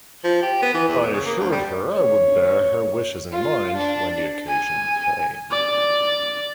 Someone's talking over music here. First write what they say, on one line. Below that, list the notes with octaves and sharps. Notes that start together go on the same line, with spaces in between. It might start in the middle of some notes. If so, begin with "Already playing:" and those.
I assured her I would bear her wishes in mind when the occasion came.
F3
G4
B3
E3
E2
B3
C#3
A#3
D2
G3
C#5
F4
D4
G#5
D5